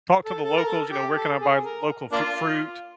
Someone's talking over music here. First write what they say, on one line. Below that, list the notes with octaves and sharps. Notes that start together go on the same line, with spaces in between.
talk to the locals, you know, where can I buy local fru fruit,
A4
A4
A#4
A4
G4
A4
G#4
A#4
A#3 D4 F4